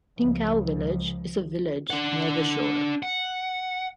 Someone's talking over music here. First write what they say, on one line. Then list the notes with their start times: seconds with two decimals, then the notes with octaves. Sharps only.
Ting Kau Village is a village near the shore.
0.17 C#2 F3
1.90 D4 F#5
3.03 F#5